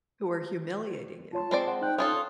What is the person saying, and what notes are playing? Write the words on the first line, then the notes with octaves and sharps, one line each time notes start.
Who are humiliating you.
F4 C#5 A5 C6
G#3 C4 D5
F#5
D#4 G5 F#6 G6
C#4 F4 A4 D#6